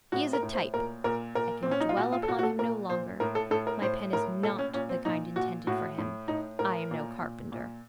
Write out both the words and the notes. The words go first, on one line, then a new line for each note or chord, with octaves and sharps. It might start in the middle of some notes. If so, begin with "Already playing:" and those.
He is a type; I can dwell upon him no longer; my pen is not the kind intended for him; I am no carpenter.
A2 F#4
A#4
A2
C5
A#2 A#4
A#2 A#4
A#2 A#4
A#2 C4
C#4
D#4
F4
A#2 F#4
F4
A4
A#2 F#4
F#4
A4
A#2 A#4
A#2 C5
A2 A#4
A4
A2 A4
A#4
A2 C5
A2 A#4
A#2 A4
C#4
A#2 C#4
C4
A#2 D#4
A#2 F#4
A2 F#4
A2
A2 D#4
A2 A#4
A#2
A#2
A#2